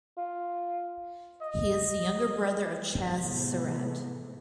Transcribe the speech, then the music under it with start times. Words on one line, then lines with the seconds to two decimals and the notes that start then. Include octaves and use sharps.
He is the younger brother of Chazz Surratt.
0.17 F4
1.42 D#5
3.11 A2 C3 E3 G#3 A3 B3